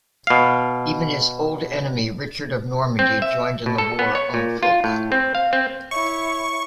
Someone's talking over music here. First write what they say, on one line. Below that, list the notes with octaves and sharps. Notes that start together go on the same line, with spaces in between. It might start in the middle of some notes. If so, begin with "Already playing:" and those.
Even his old enemy, Richard of Normandy joined in the war on Fulk.
B2 F5
C4
E5
B2
A4
B3
C#5
A#2
F4
A2
C4
F5
C4
E4 C#5 C#6